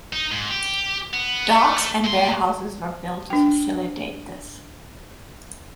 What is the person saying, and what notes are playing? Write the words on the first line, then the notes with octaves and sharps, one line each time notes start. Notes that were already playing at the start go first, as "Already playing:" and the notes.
Docks and warehouses were built to facilitate this.
D#4
G#2
G4
B3
A3
A#2 C6
D4 G5